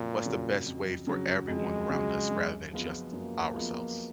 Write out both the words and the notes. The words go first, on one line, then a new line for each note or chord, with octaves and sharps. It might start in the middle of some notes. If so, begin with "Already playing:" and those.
what's the best way for everyone around us rather than just ourselves.
Already playing: F2 A#2 C#3 F#3
C#3 F#3
F2
C#3 F#3
F2 G#3
C#3 F#3
F#2
F3 G#3 B3 F4
F#2 A#3
F3 G#3 B3 F4